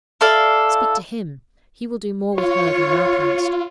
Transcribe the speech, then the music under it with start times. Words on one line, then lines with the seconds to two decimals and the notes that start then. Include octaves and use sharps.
Speak to him; he will do more with her than thou canst.
0.21 E4 A4 D5 F5
2.38 F4 C#5